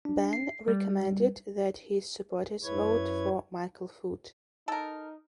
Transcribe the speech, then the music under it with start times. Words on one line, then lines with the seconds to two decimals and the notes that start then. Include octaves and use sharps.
Benn recommended that his supporters vote for Michael Foot.
0.05 D4
0.33 C7
0.68 G3
2.64 F#2 E4 B4 C#5 G#6
4.68 D#4 A4 A#4